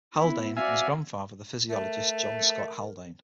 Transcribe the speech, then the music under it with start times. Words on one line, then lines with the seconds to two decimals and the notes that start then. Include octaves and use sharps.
Haldane and his grandfather the physiologist John Scott Haldane.
0.19 B3 E4
0.57 C4 F#4 D5 E5 F5 G#5
1.70 A3 A#4